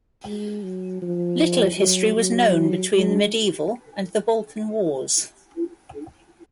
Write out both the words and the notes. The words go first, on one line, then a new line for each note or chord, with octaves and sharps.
Little of history was known between the Medieval and the Balkan Wars.
G#3
F#3
F3
F#3
F#3
G#3